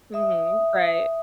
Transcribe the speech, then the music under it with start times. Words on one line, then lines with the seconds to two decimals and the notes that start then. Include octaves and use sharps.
Mhm, right.
0.14 E5 D#6